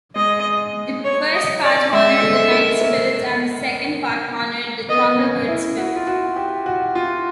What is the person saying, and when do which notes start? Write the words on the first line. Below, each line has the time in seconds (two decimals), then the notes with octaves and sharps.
The first part honored the night-spirits and the second part honored the Thunderbird spirit.
0.16 G#3 D#5
1.04 C#5
1.33 D#5
1.64 D5
1.93 G#3 E5
2.22 A3
2.51 A#3
2.81 A#3
4.89 B3 D#5
5.18 C#4
5.48 E4
5.77 F#4
5.96 F4
6.07 F#4
6.36 G4
6.66 F#4
6.95 F4